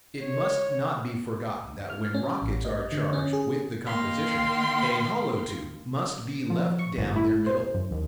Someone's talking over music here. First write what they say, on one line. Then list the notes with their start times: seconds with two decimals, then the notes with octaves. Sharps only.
It must not be forgotten that when rockets are charged with the composition, a hollow tube must be left down their middle.
0.22 C#5
1.90 F6
2.14 C#4
2.42 A1
2.65 D#5
2.92 D3
3.13 C#4
3.33 G#4
3.86 D#3 A#3 F5 G5 C6
6.50 F3
6.79 C#6
6.97 G1
7.16 E4
7.46 C5
7.75 F#2
7.91 D#2